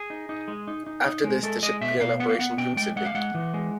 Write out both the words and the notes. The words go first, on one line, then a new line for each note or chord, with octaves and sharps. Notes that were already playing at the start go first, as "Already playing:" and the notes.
After this, the ship began operation from Sydney.
Already playing: G#4
D#4
D#4
G#3
D#4
D#4
D#4
G#3
G#3 A4
G#3 D#5
B2 E5
B2 F5
B3 F#5
F5
B3 F#5
B2 G5
G#3 G5
G#3 F#5
F5
G#3 F#5
E3
G#3